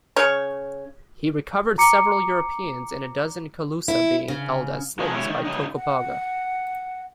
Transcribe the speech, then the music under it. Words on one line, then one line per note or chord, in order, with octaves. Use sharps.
He recovered several Europeans and a dozen Calusa being held as slaves by Tocobaga.
C#3 C#5
A#5 D6 C#7
E4
C#3
B2 D#3 F3 G#3 B3
D#3 G#3 C#4 E4 C#5
D#3
C#3 D#4
F#5